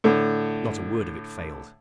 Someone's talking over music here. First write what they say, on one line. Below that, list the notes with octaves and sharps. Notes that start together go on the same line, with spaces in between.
Not a word of it failed.
A2 D3